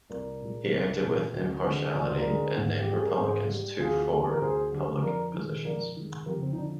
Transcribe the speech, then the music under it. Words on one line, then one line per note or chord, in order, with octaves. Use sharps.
He acted with impartiality and named Republicans too for public positions.
C2 A#4 D5
A#2 G#3
C2
A#2 G#3
D2
D3 G#3
D2 D5
C5
A#4 D5
D3 G#3
G#2
G4
G3
G#4
A#4
G#2 G#4 C5
G3
D2 F4 G#4
D3 G3
A#4
D2 G#4 C5
D3 G3
F2 A#4 D5
D#3 G#3
F2 A#4 D5
D#3 G#3
F2 G4 A#4
C4
D#4
D3 F3 D4